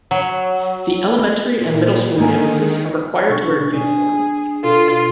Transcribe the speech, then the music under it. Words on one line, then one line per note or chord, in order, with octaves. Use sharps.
The elementay and middle school campuses are required to wear uniform.
F#3
A#2
D3 D#3 A#3 G#5
B2 D4 C#6
D4 G#4
B2 F4 A4